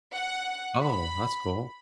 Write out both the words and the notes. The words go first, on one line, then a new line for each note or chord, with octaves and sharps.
Oh, that's cool.
F#5
B5